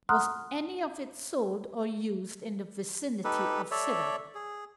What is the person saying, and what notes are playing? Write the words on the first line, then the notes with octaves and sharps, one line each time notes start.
"Was any of it sold or used in the vicinity of Sidham?"
F#5 A#5 C6 D#6 F6 F#6
D#4 G4 A4 B4
A4 C#5 D5 E5
G#4